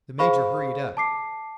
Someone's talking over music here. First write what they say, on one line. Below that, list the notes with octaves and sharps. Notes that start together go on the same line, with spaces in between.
The major hurried up.
G#4 C5 F5 B5 C#6
A5 D6 C7